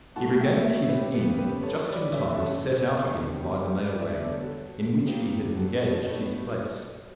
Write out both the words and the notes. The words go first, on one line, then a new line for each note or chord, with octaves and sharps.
He regained his inn just in time to set out again by the mail-wagon, in which he had engaged his place.
B2 F#3 A3 F#5 A5
E5 G5
C#5 E5
G4 B4
C#3 G3 B3 G4 B4
G4 B4
A4 C#5
B4 D5
C#3 E3 G3 C#5 E5
F#4 A4
D3 G3 B3 F#4 A4
G4
G4
B4 D5
E5
D3 G3 B3 B4 D5
A4 C#5
F#4 A4
C#3 F#3 B3 G4
G4
F#4 A4
A4 C#5
A2 G3 B3 F#4 A4